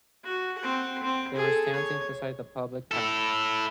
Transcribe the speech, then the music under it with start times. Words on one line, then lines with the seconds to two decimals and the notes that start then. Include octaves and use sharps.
They were standing beside the public path.
0.24 F#4
0.59 C4 F#5
1.03 C4
1.36 G#4 A4
1.72 C#5
2.91 E4 A4